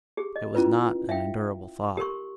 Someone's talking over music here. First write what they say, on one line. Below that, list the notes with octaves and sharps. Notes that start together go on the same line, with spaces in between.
It was not an endurable thought.
G4 G#4
D#5
C#4 E4 F4 B4
E5 F5 G5
G4 A#4 C6 C#6